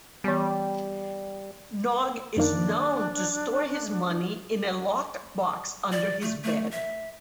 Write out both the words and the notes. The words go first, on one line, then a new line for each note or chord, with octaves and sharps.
Nog is known to store his money in a locked box under his bed.
E3 G3 B3
F#2 D#3 A#3 D4
D5
A3
A3
E5